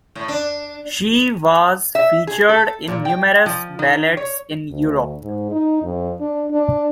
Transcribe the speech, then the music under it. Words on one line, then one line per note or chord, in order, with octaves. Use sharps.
She was featured in numerous ballets in Europe.
A2
D4
E5
G#4
A4
A#2
G5
F3
D#3
C#5
D2
G#2
D#4
F2
D4
D4